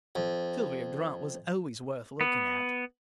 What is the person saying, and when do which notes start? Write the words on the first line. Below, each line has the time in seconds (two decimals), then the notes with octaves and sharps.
Sylvia Grant was always worth looking at.
0.15 F2
2.21 B3